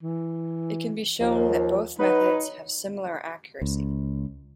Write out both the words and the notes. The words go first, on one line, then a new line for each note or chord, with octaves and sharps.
It can be shown that both methods have similar accuracy.
E3
D#2 F3
F#3 D#4 B4
C#2